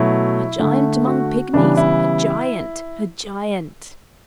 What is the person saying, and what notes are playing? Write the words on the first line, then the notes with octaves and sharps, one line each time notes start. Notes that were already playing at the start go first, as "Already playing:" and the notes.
A giant among pigmies, a giant, a giant!'
Already playing: B2 F#3 A3 E4
D3 A3
F#4
C#3 E3 G3 B3 D4
E4